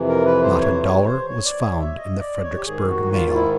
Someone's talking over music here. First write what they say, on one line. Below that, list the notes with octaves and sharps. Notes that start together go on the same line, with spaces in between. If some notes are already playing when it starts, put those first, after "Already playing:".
Not a dollar was found in the Fredericksburg mail.
Already playing: F2 C3 E3
A#4
B4
C5
C#5
C5
C#5
C5
C#5
D5
C#5
E5
D#5
D5
C#5
G4
G#2 D#3 G#4
F#4
F4
F4
E4